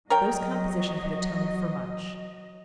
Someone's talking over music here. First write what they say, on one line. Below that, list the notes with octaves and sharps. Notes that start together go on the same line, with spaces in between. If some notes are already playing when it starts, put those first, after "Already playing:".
Those compositions would atone for much.
F#3 A#4 C#5 D#5 G5